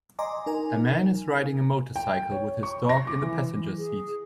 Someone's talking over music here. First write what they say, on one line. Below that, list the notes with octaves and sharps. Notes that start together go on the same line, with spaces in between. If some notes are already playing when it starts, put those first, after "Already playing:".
A man is riding a motorcycle with his dog in the passenager seat.
D#5 G#5 A#5 C6 D6
D#4 A#4 G#5
G5
C#5
C#6
A#6
D6
E3
G#4